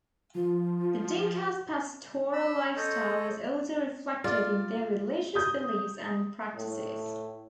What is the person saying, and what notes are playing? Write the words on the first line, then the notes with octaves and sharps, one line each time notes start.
The Dinkas' pastoral lifestyle is also reflected in their religious beliefs and practices.
F3 F4
B5 E6
A4 C5 C#5 D#5
F4 D5
D#6 G6
A2